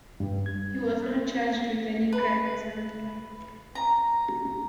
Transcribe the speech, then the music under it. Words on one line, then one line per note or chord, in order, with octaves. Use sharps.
He was not charged with any crime in Zambia.
G2
G#6
B4
A#5